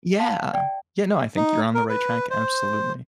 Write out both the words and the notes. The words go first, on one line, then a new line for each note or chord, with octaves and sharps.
Yeah, yeah, no, I think you're on the right track, absolutely,
F5 A5 C6
D5 G5
D#4
A#4
B4
C5